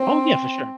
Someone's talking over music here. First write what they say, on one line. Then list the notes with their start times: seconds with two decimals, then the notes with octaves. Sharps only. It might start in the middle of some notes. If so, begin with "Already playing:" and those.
Oh, yeah, for sure.
Already playing: C4